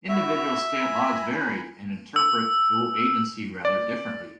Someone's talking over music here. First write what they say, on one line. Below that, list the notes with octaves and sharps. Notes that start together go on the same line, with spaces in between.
Individual state laws vary and interpret dual agency rather differently.
E4 F#4 E5
G#5 A#5 B5
E6
D5